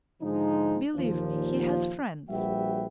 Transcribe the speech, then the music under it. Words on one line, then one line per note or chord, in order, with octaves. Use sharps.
Believe me, he has friends.
G#2 D3 F3 G#3 D#4
D#2 A#2 F3
A#1 G3 F#4 B4 E5 G5